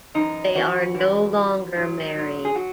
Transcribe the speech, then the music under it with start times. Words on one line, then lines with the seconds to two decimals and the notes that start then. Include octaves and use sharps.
They are no longer married.
0.14 F#2 E3 D#4
0.55 F#2 E3 F#4
0.95 F#2 E3
1.35 F#2 E3
1.75 G#2 F#3
2.15 G#2 F#3
2.45 G#4
2.55 F#3 F#4